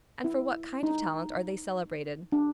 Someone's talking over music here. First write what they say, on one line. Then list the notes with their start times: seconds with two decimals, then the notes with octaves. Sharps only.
And for what kind of talent are they celebrated?
0.24 E4
0.83 D#4
2.32 D4